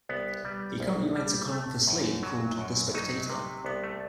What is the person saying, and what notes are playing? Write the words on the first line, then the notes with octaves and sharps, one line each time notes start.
He currently writes a column for "Slate" called "The Spectator".
C2 B3
G3
C2
G3
A3
F#2
F#3
F#2
F#3 D#4
C3
C2 B3
A3